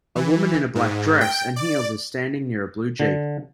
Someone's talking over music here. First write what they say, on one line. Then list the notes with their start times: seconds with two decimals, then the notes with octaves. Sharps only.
A woman in a black dress and heels is standing near a blue Jeep.
0.16 E3
0.75 G#2
1.21 G5
1.56 D5
3.00 D3